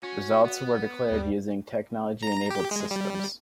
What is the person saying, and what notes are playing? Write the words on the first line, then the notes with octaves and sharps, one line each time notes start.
Results were declared using technology-enabled systems.
C#4 F#4
B3
D#2 G3
A#5
G4
G#3
G3